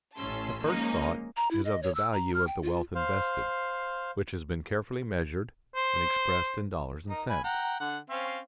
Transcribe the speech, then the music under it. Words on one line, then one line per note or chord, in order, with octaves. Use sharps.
The first thought is of the value of the wealth invested, which has been carefully measured and expressed in dollars and cents.
A1 A2 C#4 A5 C6 E6
F3 G#3 A#3 C#4 D#4
A#5
E4
D#5
C#5
E6
A#5
F6
G5
F4
C5 F5
C5
D#4 A#4
G#5 B5
F#5 G5 A#5
D3 F#5
C4 C#4 F5